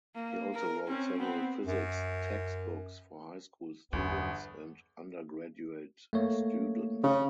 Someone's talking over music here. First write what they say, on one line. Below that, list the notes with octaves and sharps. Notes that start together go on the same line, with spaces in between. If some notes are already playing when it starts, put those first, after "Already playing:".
He also wrote several physics textbooks for high school students and undergraduate students.
A#3
A#4
C4 C#4
B3 C4
F#2
G1 E2 B3 G#4
A3 A#3 C#5
C#3